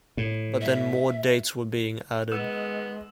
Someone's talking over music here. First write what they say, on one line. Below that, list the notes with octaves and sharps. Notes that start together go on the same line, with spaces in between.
But then more dates were being added.
A2
E5
D#3 G#3 B3 E6 E7